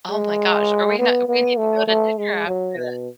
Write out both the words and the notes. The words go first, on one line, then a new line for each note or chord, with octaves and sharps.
Oh my gosh are we not we need to go to dinner after this
G#3
B3
B3
A3
A3
G#3
F#3
B2